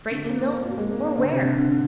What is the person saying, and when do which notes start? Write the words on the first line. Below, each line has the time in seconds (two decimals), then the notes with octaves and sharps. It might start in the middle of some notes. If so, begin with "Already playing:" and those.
Straight to Milton, or where?
0.11 D3
0.25 A#3
0.38 A#3
0.52 A#3
0.59 C4
0.65 A#3
0.77 G#3
0.92 A#3
1.05 A#3
1.18 D3
1.31 C3
1.45 D3
1.58 D3
1.72 D3